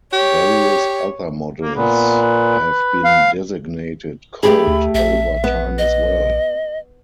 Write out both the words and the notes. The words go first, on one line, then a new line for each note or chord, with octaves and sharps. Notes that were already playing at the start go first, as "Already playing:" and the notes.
Various other models have been designated "Colt" over time as well.
G4 C#5
A#3
A#2 B3
B4
F5
A3 G4 G#4 B5
D2
A#1 E5
B3
D#5